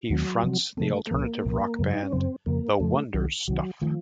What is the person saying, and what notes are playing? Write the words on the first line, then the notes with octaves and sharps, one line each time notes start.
He fronts the alternative rock band The Wonder Stuff.
D#2 D#3 F#3 A3 C4
C3 F3 C4
C3 F3 A3 C4
A3
C2 A#2 F3 A#3
C2 A#2 F3
F#2 C#3 F#3
D#4
C#4
F#2 C#3 F#3 C4
F2 C#3 F3 A#3
F2 C#3 F3 A3
C2 C3 D#3 F#3
C2 C3 D#3 F#3
D#3 F3 A3